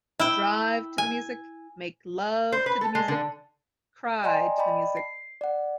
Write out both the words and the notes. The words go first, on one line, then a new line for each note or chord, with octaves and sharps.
Drive to the music, Make love to the music, cry to the music.
E4 G5
G#5
C5
B4
A4
G#3
D3
D5 D#5 G5 G#5 A#5 C6
D5 D#5 G5 A5 B5
C7
D5 F#5